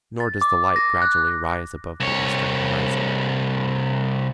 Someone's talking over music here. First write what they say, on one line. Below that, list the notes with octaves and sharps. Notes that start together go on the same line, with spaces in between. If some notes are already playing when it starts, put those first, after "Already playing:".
Nor does the light gradually rise above the eastern horizon.
A6
D6
A#6
F#6
C2 C#5